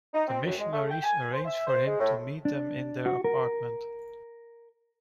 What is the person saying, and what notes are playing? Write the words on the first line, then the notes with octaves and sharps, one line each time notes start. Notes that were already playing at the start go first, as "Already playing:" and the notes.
The missionaries arrange for him to meet them in their apartment.
D#4
C4
F#2
G#3
A3
G5
G#5
C5
E5
C5
G#3
A2
D4
F#4
A#4